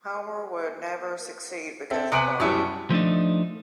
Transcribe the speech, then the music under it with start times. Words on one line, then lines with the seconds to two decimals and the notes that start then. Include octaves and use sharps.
Homer would never succeed because of Bart.
1.91 C4 A4 E5
2.12 C3 B3 G#5 C#7 D7 F#7
2.40 F#2 A2 F#3 G3 B3 E4
2.90 F3 A3 D4 D#4